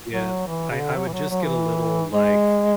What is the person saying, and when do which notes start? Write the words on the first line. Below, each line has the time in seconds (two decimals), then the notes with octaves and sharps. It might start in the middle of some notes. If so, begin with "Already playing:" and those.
get I I would just get a little like
0.13 F#3
0.47 E3
0.70 C#3
0.79 D3
0.96 F#3
1.08 E3
1.13 F#3
1.29 F#3
1.45 E3
2.12 G#3